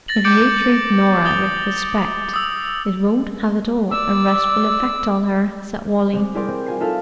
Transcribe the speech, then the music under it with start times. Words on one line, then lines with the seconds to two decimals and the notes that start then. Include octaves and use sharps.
"If you treat Norah with respect it won't have at all a restful effect on her," said Wally.
0.08 A6 A#6 F#7
0.24 D6 G6 A6 C#7 D7 F#7
1.25 D#6 A6 F#7 G7
2.34 D#6 E6
3.91 D5 E6
6.13 G3 G#3 C4
6.35 E4 G#4 A#4 D5 G5 C6
6.48 C4
6.66 F4 G#5 C7
6.80 D#4 F4 A4 E5 F5